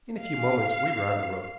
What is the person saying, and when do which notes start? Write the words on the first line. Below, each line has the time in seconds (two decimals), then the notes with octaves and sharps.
In a few moments we were on the roof.
0.18 F5